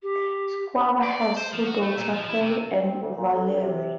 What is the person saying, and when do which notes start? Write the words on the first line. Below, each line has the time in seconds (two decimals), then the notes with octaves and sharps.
Schwaber has two daughters, Carey and Valerie.
0.02 G4
1.03 D5
1.37 C5
1.53 F3
1.66 F#4
1.83 A3
1.97 A#2
2.14 F3
2.29 E4
2.41 C3
2.82 C4
3.01 D2
3.16 A#2
3.34 F2
3.60 C3